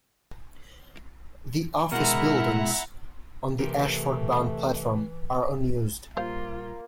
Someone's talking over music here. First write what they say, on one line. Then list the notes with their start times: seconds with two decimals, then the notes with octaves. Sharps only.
The office buildings on the Ashford-bound platform are unused.
1.92 B2 G#3 E4 A#4 E5 F#5 A#5
3.59 C3 E3 A3 G4 A#4
6.17 A#2 G3 A#3 F4 C5 F5